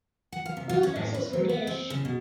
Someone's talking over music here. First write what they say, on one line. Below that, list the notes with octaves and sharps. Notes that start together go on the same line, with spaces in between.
Both vessels were Danish.
F#5
F5
C3
F4
C#4
A2
B4
F#3
B3
C4
C#3
B2